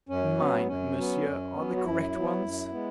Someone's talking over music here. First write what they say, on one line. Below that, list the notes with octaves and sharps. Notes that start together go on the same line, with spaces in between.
"Mine, monsieur, are the correct ones."
F#2 C#4
F#3 B3
F#2 C#4
F#3 B3
F#2
F#3 B3
F#4
F#2 E4
F#3 B3
F#2
G#3 B3